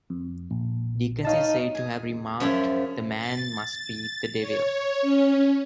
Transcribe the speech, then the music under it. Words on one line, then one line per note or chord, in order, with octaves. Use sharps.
Dickens is said to have remarked, "The man must be the devil".
F2
A#1
D#4 C#5 F5 A5
G#4
F#2 F3 G#4 E5
A6
C#5
C#4